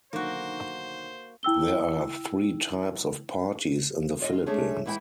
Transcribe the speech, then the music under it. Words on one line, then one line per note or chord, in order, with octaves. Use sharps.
There are three types of parties in the Philippines.
B1 D3 D#3 A#3 F#4 C5
E4 G5 E6 G7
F4 D5 D#5
F4
G#3 A3 C#4 D4 G#4
E3 G#3 E4 F#5 G5